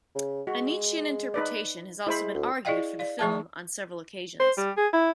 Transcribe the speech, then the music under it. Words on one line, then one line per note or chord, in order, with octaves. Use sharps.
A Nietzschean interpretation has also been argued for the film on several occasions.
C#3
G#3 F#4
D#4 B4 D5
G#3 E4 C5 B5
D2
E4 G#4 D5 D#5 F5 G5
D5 F5
F3 A3 G#4 E5 A5
C5
G3
G#4
E4